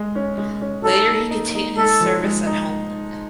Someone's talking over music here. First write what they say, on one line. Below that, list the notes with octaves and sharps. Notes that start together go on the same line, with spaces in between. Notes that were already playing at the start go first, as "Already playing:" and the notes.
Later he continued his service at homeland.
Already playing: G#3
C#4
G#3
C#4
D#4 A4
A#3
D#4
D#4
G#3 A4
F3
G#3
D#4